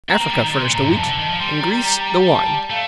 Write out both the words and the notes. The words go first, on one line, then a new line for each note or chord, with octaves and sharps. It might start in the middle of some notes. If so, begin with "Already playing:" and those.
Africa furnished the wheat, and Greece the wine.
C4 A#5
A#3
G3
D#3
D3 C6
A#2
A2 A#5
G2
F2 A5
C3
D3
D#3
F3
G3 C6
C6
A#5
A#5
A#5
A5
A3 F5